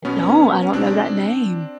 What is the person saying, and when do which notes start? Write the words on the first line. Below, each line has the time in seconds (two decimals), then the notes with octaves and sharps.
I don't, I don't know that name.
0.05 B2 F#3 B3 C#4
0.62 C#4
0.73 B2 F#3 C4 D4